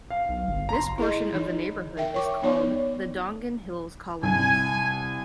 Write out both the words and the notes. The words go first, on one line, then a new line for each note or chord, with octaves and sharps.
This portion of the neighborhood is called, the Dongan Hills Colony.
F5
B1
G1
A#5 C6
E4 G#4 D#5
E3 D#4
A#4 E5 G5
C#5 C#6 D6
B3 D#4 C#5 D5
C2 G#5